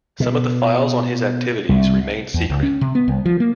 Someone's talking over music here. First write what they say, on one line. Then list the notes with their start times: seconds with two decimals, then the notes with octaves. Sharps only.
Some of the files on his activities remain secret.
0.20 B2
1.69 C2
2.34 E2
2.50 C#2
2.63 C#4
2.81 C3
2.95 B3
3.08 C2
3.26 F3
3.40 A#3